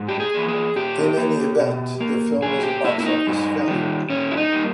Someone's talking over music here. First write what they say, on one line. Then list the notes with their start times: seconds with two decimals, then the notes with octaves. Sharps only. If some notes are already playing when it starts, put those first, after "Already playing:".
In any event, the film was a box office failure.
Already playing: G#2
0.09 G4
0.20 G#4
0.34 E3 A#3
0.48 G#4
0.76 A#2 G4
1.17 A#3
1.60 B2
2.00 A#3
2.42 A#2 G#4
2.63 G4
2.84 A#3 E4
3.00 E4
3.06 D#4
3.27 G2
3.68 D#3 G3
4.10 A#2 C#4
4.31 E4
4.37 D#4
4.52 G3 A#3